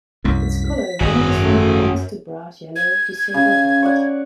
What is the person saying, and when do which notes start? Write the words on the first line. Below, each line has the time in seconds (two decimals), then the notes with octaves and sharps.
Its color ranges from bronze to brass yellow to silver white.
0.24 C2 F#2 A2 B6
1.00 G#1 F#2 F#4 G#4
1.43 A3
2.76 G#6
3.34 C#3
3.83 C#5 D5 F#5